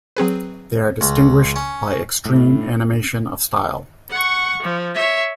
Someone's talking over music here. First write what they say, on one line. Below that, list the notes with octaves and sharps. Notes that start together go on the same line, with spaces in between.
They are distinguished by extreme animation of style.
F#3 C4 G#4 B4
C#2
C#4
A2
F#5 C#6
F3
C#5 E5